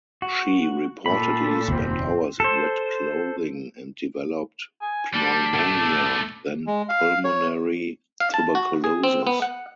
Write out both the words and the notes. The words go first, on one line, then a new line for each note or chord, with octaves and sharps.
She reportedly spent hours in wet clothing and developed pneumonia, then pulmonary tuberculosis.
F#4
A#2 A4 B5
F1 D#2 B2 C4
A4 C5
G#5
G3 D4
B2 A3
G#3
F5
C#5
F5
A5
F#4
G#4
C4
B3
F#5